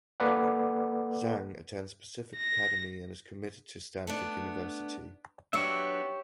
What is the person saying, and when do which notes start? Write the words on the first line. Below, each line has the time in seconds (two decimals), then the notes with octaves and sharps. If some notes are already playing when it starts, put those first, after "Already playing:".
Zhang attends Pacific Academy and is committed to Stanford University.
0.20 A#3 A4 B4 D5 F#5
2.36 A#6
4.07 A3 B3 D4
5.53 F#3 B3 D4 G4 C#5 E5